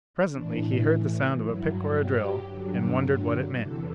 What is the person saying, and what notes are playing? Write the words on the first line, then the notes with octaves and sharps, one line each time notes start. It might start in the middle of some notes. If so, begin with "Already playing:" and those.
Presently he heard the sound of a pick or a drill, and wondered, what it meant.
A2 E3 D4
G2 F#3 E4
G4
G2 D3 F#3
E2 C3 E3 A4